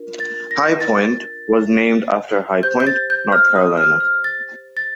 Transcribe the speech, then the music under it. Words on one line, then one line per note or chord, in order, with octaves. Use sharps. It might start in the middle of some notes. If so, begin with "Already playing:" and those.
"High Point" was named after High Point, North Carolina.
Already playing: D4 F4 A#4
A6
A#6
A6
G4 C5 G6
G6
A6
G6
F6
D#6
F6
F6
A6
A6